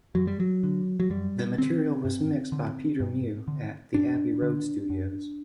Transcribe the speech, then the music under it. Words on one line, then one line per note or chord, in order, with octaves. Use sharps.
The material was mixed by Peter Mew at the Abbey Road studios.
F#2 F#3
G3
F#3
D3
F#3
F#2 G3
D3 C4
G2
D3
G2
D3
G2 D4
D3
F#2